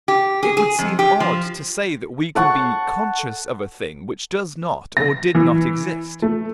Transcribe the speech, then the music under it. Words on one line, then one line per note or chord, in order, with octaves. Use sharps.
It would seem odd to say that we can be "conscious" of a thing which does not or did not exist.
G4
G#4
G#4
F2
G4
F3
A4 F#5 C#6
A#6
E3
A3